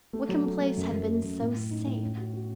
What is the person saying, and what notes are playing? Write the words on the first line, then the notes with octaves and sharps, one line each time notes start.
Wickham Place had been so safe.
A3
F#3
A3
A3
F#2
F#2
A3
F#2
A2
A2
D#4
A2
C#4
F#4
F#4